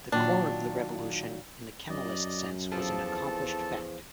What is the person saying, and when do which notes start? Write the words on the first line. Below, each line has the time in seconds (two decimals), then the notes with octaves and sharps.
The core of the revolution, in the Kemalist sense, was an accomplished fact.
0.12 A#2 D#3 F#3 D4
1.90 F#2 D5 D#5
2.72 E2 F3 C4 A4 A5